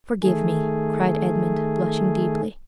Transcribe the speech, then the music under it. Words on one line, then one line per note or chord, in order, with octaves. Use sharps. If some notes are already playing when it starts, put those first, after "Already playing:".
"Forgive me!" cried Edmond, blushing deeply.
D#3 A3 G#4